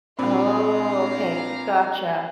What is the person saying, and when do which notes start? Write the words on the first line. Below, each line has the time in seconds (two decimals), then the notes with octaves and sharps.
Oh, okay. Gotcha.
0.19 A#2 C4 D4 F5 A#5 B5